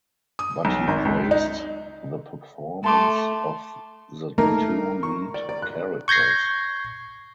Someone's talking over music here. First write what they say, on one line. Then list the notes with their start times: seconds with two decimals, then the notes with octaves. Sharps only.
But he praised the performance of the two lead characters.
0.39 D#6
0.65 B1
0.88 G#1
1.05 C#2
1.31 D#4
2.84 A3 A5 C6 D6
4.38 A3 A#3 D#4 A#4
5.03 C#6
5.34 D5
5.49 D5
5.62 F#6
6.08 C#6 G6 G#6 A#6 C7